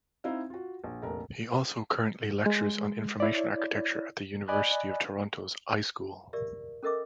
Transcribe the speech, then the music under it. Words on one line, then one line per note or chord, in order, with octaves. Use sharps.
He also currently lectures on Information Architecture at the University of Toronto's iSchool.
C4 D#4 E4 D#5 F5
F4 F#4
A#1
F1 A#1 A3 A#4
G#3
E4 C#5 D5
D5 D#5 G#5 B5 F#6
G4 A#4 D5 E5
C#4 A4 A#4 D#5 E5 D6